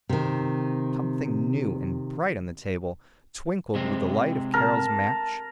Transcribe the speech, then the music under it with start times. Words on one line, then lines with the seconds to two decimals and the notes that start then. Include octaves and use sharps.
Something new and bright on the table twinkled with the light of Carroll's match.
0.09 C3 D#3
3.75 C3 G#3 C4
4.54 A#4 A5